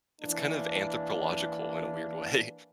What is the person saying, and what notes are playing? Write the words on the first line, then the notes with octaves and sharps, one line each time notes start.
It's kind of anthropological in a weird way.
E3 A#3 D4